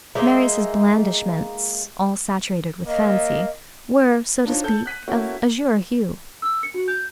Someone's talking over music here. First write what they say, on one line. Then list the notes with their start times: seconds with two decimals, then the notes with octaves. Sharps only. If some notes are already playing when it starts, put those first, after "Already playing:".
Marius' blandishments, all saturated with fancy, were, so to speak, of azure hue.
0.15 G#3 A#3 D#4 E5
2.87 A#3 D#5
4.46 D4 D#4 F4 C5 C#5
4.64 A4 A5 G6 G7
4.86 F#6 B6 D#7
5.08 A3 A#3 C#4 E4 F#4
6.42 E6
6.63 C#7
6.74 F#4
6.88 G6